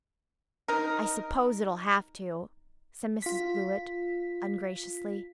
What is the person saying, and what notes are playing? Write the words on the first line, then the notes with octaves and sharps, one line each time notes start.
"I suppose it'll have to," said Mrs. Blewett ungraciously.
D#4 A#4
F4 B6